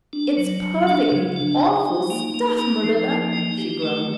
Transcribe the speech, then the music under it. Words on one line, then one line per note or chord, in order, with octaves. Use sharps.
"It's perfectly awful stuff, Marilla," she groaned.
D4
F#3
F#3
D4
C#3
D4
D#4
D#4
A#3
A#3
D#4
F3
A#3
D#4
G4
A3